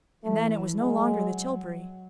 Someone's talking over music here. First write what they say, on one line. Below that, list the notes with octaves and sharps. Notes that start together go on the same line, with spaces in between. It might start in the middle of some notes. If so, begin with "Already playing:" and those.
And then, it was no longer the tilbury.
E3 A3
F#3 G#3